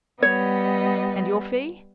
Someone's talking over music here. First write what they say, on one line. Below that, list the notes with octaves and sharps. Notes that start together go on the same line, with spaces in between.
"And your fee?"
G3 B3 C#5 D#5